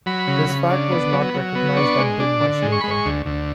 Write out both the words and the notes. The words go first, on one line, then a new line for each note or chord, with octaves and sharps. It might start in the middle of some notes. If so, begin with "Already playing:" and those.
This fact was not recognized until much later.
F#3 B5
C#3
C#3
D4
B3
F#3
F#3
B3
D4 C#6
G#3
D4
D3
G#3
C#6
G#3 B5
C#6
D2
D2